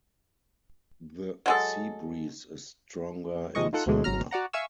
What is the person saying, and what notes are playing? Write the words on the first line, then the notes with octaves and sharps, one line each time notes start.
The sea breeze is stronger in summer.
F#3 G#3 A4
C3 F3 G#3 D#5 C#6
D#4 F4 A4 F#5
D2 B2 D3 E3 G#3 A3
G#1 F#3 A#5 F6
F#4 D5 F#5 A#5
E5 F5 G#5 C#6 E6